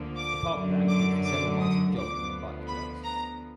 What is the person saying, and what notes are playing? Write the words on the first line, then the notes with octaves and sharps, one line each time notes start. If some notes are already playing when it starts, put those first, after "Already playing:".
The park plan called for several miles of jogging and bike trails.
Already playing: D2 D3 F3 A#3
D6
F#2 D3 F#3
D6
D6
D#6
D2 D3 F3 B3 D6
B5
A#5